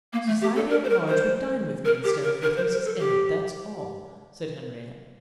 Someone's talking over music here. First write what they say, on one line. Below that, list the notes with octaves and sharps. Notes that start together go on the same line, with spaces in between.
"Society at large would dine with me instead of with Mrs. Innitt, that's all," said Henriette.
A#3
A3
G4
A4
A#4
C5
A#4
C5
A#4
G4
A#4
A#4
C5
A#4
A4
G4